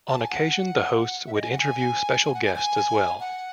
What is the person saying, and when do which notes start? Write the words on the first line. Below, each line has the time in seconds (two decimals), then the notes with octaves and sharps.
On occasion the hosts would interview special guests as well.
0.08 A5
0.19 G#5
0.30 F#5
1.26 E5
1.34 D#5
1.42 G#5
1.51 F#5
1.59 G#5
2.23 G#5
2.34 F#5
2.44 G#5
2.56 G#5
3.20 F#5